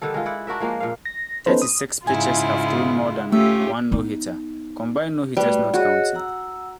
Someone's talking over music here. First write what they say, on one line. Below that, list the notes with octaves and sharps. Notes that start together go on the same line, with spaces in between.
Thirty-six pitchers have thrown more than one no-hitter, combined no-hitters not counting.
D3 D#3 G3 A4
G#3 F4
E4 D5 F#5
D4 F#4 A#4 E5
F3 G#3 A#3
A#2 F5
A#6
B3 C#4 D#4 A4 B4 C5
D#6
G#2 C#3 E4 F4 G#5
A3 C#4 F4 G4 E5
B3 D#4
G3 A3 F#4 B4
F#4 G#4 C#5 D#5
F#5 A#5 E6